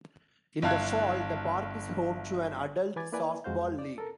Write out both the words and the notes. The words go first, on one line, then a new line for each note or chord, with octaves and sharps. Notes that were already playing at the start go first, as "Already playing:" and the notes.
In the fall the park is home to an adult softball league.
G1 E4 F5 A5 F#6 G#6
E3 B4 G#5 D6 G#6 A6
A#3 E4 B4 D5 G#5
F2 G#3 F#4 C5 F5 G6
D5
A4 A#4